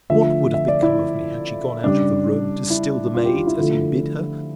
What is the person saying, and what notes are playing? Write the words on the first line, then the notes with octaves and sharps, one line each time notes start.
What would have become of me, had she gone out of the room, to still the maids, as he bid her!
D3 F3 A3 E5
E5
D5
E4
C#3 G3 D4
E4
F4
G4
F4
E4
D3 F3 A3